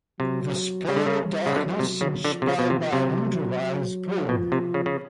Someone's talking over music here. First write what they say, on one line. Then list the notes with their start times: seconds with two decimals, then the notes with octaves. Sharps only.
This pall of darkness inspired Byron to write his poem.
0.19 C3 F#3
0.88 C#3 G3
0.96 D3
1.06 C#3
1.46 C#3
1.56 D3 F#3
1.79 C3
2.01 C#3
2.25 D3 F3
2.42 C3
2.47 C#3
2.59 B2
2.70 C3
2.93 C3 F#3
3.26 F#3
3.61 F#3
4.28 B2 F3
4.52 C3
4.74 C#3
4.86 C#3